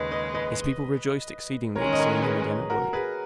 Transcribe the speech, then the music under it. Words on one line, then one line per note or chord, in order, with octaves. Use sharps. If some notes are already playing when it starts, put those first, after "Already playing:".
His people rejoiced exceedingly at seeing him again at work.
Already playing: D#2 C#3 G#3 B4 D#5
B4 D#5
B4 D#5
D#3 G#3 C#4 A#4 C#5
D#5
A#4 C#5
G#4 B4
F#4 A#4
G#4 B4